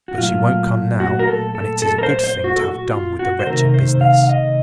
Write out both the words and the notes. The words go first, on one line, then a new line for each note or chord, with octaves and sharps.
But she won't come now, and it is a good thing to have done with the wretched business.
F#4
A#2 F#3 A3 F4
F#4
A#4
A4
A4
A4
A#4
C5
C5
F#4
A4
F#4
F4
F#4
C5
C3 D#3 A3 A#4
C5
F5
F5
D#5